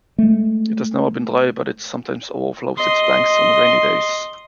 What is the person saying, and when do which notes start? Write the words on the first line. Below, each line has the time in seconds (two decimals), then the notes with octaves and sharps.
It has never been dry but it sometimes overflows its banks on rainy days.
0.18 G#3 A3
2.77 D#5 C6